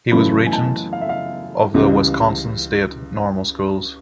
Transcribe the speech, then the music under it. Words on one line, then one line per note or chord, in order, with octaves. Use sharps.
He was regent of the Wisconsin state normal schools.
F#2 C#3 E3 A3 B5
G#5
A5
F5
E5
F5
C#2 C#3 E3 G3